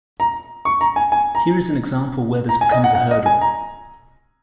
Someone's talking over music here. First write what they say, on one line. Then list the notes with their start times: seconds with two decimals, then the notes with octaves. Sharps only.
Here is an example where this becomes a hurdle.
0.20 A#5
0.65 C#6
0.81 A#5
0.96 G#5
1.12 G#5
1.35 A#5
2.49 A#5
2.61 G#5
2.72 D#5
2.84 F#5
2.95 F#5
3.11 D#5
3.26 G#5
3.41 A#5